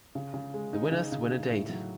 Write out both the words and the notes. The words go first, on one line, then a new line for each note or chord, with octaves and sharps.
The winners win a date.
C#3
C#3
G#3
D#4
C#3
C#3
D#4
A2
F#3